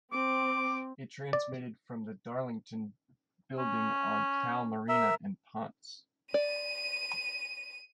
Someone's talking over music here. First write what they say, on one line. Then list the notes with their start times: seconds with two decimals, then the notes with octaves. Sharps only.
It transmitted from the Darlington building on Calle Marina in Ponce.
0.12 C4 D6
1.33 D5
3.58 C#4
4.89 A#4 E5
6.34 D5 D#7